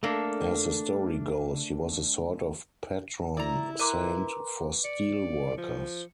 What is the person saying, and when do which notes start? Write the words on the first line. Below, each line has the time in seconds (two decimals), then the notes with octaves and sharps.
As the story goes, he was a sort of patron saint for steel workers.
0.03 A3 A#3 D4 A4
3.37 E4 D5 A#5
3.79 A#4 B4 A#5 C6 D6 F#6
4.84 D5 C#7
5.58 F3